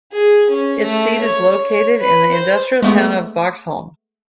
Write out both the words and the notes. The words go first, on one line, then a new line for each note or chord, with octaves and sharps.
Its seat is located in the industrial town of Boxholm.
G#4
C#4
A3
C#5
C#5
B4
C5
G#3 A3 B3